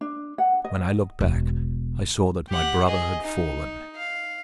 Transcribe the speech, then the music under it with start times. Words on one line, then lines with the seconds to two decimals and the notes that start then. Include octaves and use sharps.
When I looked back I saw that my brother had fallen.
0.01 D4
0.38 F#5
0.65 D#5
1.21 E1
2.49 G4 F#5
2.85 G#4 D#5
3.24 D#4
3.96 F5